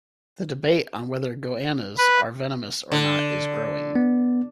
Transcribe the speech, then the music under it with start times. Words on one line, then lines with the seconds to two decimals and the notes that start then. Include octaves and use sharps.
The debate on whether goannas are venomous or not is growing.
1.98 B4
2.92 D3
3.96 B3